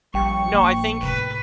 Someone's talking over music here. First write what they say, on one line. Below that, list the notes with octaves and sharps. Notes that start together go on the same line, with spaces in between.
no, I think
A#1 G3 G5 C#6 C#7
A#2 A#3
A2 C3 B4